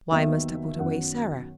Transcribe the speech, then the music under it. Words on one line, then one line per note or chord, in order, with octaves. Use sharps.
"Why must I put away Sarah?"
D#2 D#3 F#3 B3 E5
F#2 D#3 F#3 B3 F#5